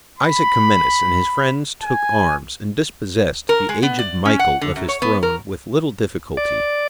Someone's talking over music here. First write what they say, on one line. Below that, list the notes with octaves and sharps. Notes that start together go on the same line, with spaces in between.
Isaac Comnenus and his friends took arms, and dispossessed the aged Michael of his throne with little difficulty.
B5
G#5
A#4
G#3
B3
D5
C#4
F#5
D3
F#2
C#5
B3
A#4
D5